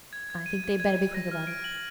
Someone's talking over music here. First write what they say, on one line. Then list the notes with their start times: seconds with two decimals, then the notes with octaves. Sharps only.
I think they'd better be quick about it.'
0.13 G#6
0.30 G#6
0.46 D#7
0.64 G#6
0.80 G#6
0.97 D#7
1.14 A#6
1.31 F6
1.47 D7
1.64 F#7